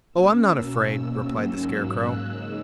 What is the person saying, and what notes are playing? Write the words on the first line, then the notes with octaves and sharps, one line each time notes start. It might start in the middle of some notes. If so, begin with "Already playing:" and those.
"Oh, I'm not afraid," replied the Scarecrow.
B2 A#3 C#4 E6
G#2 F#3 A#3 C#4
F#6
C#3 G#3 D#4 E6